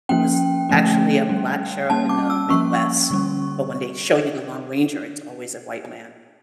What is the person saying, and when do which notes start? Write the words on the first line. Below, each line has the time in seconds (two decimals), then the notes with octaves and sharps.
who was actually a black sheriff in the Midwest, but when they show you the Lone Ranger, it's always a white man,
0.09 F3 A#3 C#4 G5
0.69 D3 F3 A3 C#4
1.29 G3 C#4
1.90 G3 A#3 C#4 A5
2.09 D6
2.30 E6
2.49 F3 A#3 C#4 C#6
3.10 D3 G3 C#4